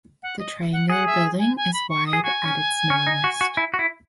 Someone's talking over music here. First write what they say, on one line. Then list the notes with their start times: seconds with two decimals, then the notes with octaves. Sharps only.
The triangular building is wide at its narrowest.
0.23 F#5
0.39 D#5
0.73 F#5
0.90 G#4 F#5
1.06 E5
1.39 G#5
1.57 G#5
1.74 B5
1.89 C#6
2.07 D#6
2.13 G#4
2.23 F#4 G#5
2.45 C#4
2.90 C#4
3.07 D#4
3.24 F#4
3.41 F#4
3.57 E4
3.74 F#4
3.79 E4